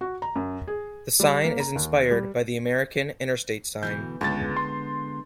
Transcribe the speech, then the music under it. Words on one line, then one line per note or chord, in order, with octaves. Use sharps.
The sign is inspired by the American Interstate sign.
F#4
A#5
F#2
G#4
G3
A#3
A#5
D#2
G3
D2 B2 E3 G6
C#2 D3 G#3 B3 A6
C6